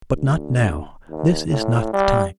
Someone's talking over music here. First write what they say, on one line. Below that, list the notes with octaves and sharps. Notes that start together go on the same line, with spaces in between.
But not now, this is not the time.'
D2
D#2
A2
G3